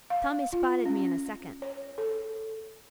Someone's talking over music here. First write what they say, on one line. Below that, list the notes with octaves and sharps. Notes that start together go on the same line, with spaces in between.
'Tommy spotted me in a second.
F5
F4
C#4
C#5
A4